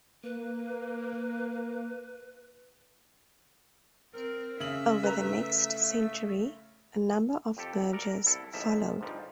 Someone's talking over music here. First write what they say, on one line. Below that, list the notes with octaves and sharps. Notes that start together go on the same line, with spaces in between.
Over the next century, a number of mergers followed.
A#3 B4
C4 A#4
C#3 E5 F#7
A3 B4 A#5
F2 G4 A4
A4 A#4 D5
A#5
C2 E4 A4
A1 G#2 F3 E5 A5
G1 G#2 F3 G3